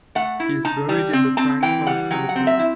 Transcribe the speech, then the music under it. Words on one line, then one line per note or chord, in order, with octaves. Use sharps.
He is buried in the Frankfort Cemetery.
A3 F#5
E4
D#4 A5
G3
C4
C4 A5
E3 G5
G3 F#5
F#3 G5
F#5
C4
E5
E4